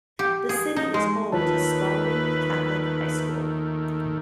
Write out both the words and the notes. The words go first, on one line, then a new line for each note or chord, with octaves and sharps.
The city is home to Spalding Catholic High School.
G4
G#4
D#4
G#3
D#2 D#3 A3 F4 B4 C#5 A5